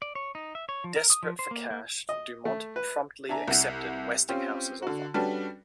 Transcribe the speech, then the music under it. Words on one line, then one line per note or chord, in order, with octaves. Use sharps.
Desperate for cash, DuMont promptly accepted Westinghouse's offer.
D5
C#5
D#4
E5
C#5
F3
A#4
D#6
F3
C5
A#3
A#3
D#5
A3
B4
D4 E5 G#5 A#5
C2 E5 F#5
C4 C#4 F4 G4 C5
D3 F#4
G3 C#4 D4 F#4 A4 B4